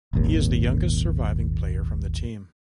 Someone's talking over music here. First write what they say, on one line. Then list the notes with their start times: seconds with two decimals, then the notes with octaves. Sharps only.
He is the youngest surviving player from the team.
0.13 D#1 G#1 D#2